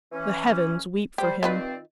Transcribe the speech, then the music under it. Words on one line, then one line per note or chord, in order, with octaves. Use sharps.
The heavens weep for him.
E3 C#4
G3 G4 C5
G2 D#3 C4 F4 B4 D5